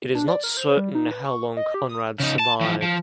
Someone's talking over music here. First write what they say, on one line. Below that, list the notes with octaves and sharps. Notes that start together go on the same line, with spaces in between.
It is not certain how long Conrad survived.
D4
D5
A#4
C5
G3
D#4
B4
C#6
D#5
G4
D#6
C#3 D#4
A5
E3 F3
F3